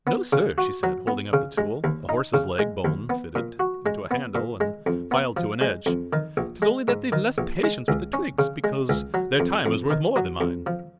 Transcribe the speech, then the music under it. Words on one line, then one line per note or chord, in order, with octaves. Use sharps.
"No, sir," she said, holding up the tool--a horse's leg-bone fitted into a handle and filed to an edge--"'tis only that they've less patience with the twigs, because their time is worth more than mine."
B3
C#3
F#4
F#3
B3
C#3
G#3
D#2
D#4
C#3
G#3
D#2
B3
A#2
F#4
G#3
B3
A#2
G#3
F2
B3
F3
G#3
F2
D#3
A#1
G#3
G#2
D#3
A#1
G#3
C#2
C#4
C#3
G#3
C#2
F#3
F2
F2
D#3
F#3
F2
F3